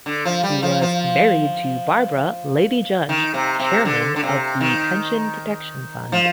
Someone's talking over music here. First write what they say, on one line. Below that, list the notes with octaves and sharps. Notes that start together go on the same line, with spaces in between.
He was married to Barbara, Lady Judge, chairman of the Pension Protection Fund.
D3
F3
G3
F3
F3
D#3
C3
C3
D3
D3
C3
D#3
F3